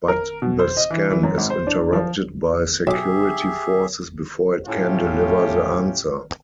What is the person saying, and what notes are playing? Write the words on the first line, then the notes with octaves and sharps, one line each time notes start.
But the scan is interrupted by security forces before it can deliver the answer.
A#4
B2
C5
D#5
E3
E3
F#2
G#1
C5
D4
F3
B1 G4 G#4 E5 D6
A2 A3 C#4 E4 F4 G4